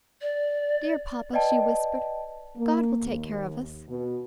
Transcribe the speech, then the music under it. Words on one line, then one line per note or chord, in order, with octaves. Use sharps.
"Dear papa," she whispered, "God will take care of us."
D5
B4 D5 D#5 G5 A5
A#3
D#2
B2